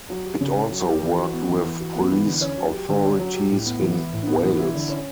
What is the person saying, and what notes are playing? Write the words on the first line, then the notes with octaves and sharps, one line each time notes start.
It also worked with police authorities in Wales.
F#3
G4
C#3
C#4
F#3
G4
E3
F#4
B3
E3
E3
F#4
B3
E3
D3
C#4
F#3
G4
D3
C#4
F#3
G4
A2
B3
E3
E4
A2
B3
E3
E4
D3
C#4